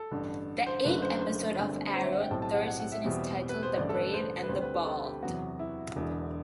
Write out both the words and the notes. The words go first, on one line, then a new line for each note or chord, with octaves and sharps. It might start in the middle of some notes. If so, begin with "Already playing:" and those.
The eighth episode of "Arrow"'s third season is titled "The Brave and the Bold".
Already playing: A4
A1 G2 D3
C5
F#1 F#2 D3 A3 B4
C5
C5
G1 G2 D3 A3 C4
C5
E5
F#5
G5
B1 A2 G3 C4 A5
A5
F#5
F#5
F#5
E5
E2 B2 G3 C4
B4
C5
A1 G2 D3 A3 D5
A4
B4
C5
B4
D2 D3 G3 C4 C5
B4
A4
A4
G4
E2 C3 F#3 B3 F#4
E4
E1 E2 D3